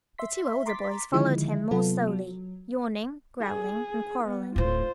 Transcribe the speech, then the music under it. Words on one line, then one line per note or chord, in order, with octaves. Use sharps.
The two older boys followed him more slowly, yawning, growling, and quarreling.
E5 C6 B6
A#5 C6 D6 A6 B6
D3 D#3 F3 G#3 D#4 E4
C3 F#3 B3 F4 A4
F#3
G#4
B3
D1 A2 F4 C5